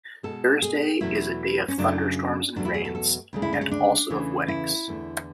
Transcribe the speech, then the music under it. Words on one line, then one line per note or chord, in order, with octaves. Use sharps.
Thursday is a day of thunder-storms and rains, and also of weddings.
B2 G#3 A4
G#4
E2 B2 F#3 A3 E4
C#4
F#2 C#3 F#3 A3 D4
E2 B2 F#3 A3 D4
E4
G#4
A4
A4
D2 C#3 G#3
E4
D4
C#4
D4
E2 C#3 E3 A3
E4
E2 D3 A3